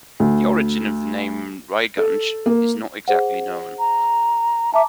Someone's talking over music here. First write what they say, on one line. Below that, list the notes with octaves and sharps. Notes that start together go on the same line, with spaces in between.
The origin of the name Raiganj is not exactly known.
D2
A4
A#3
G#4 C5 F#5
A#5
E5 A5 A#5 D6